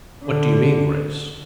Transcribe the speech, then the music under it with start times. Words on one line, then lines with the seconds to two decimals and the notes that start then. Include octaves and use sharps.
"What do you mean, Grace?"
0.24 D3